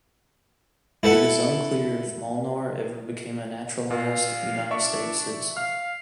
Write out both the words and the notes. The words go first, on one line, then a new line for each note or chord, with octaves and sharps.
It is unclear if Molnar ever became a naturalized United States citizen.
E4 A4 B4 F#5
A#2 F5
D4 D5 E5 C#6
F5 F6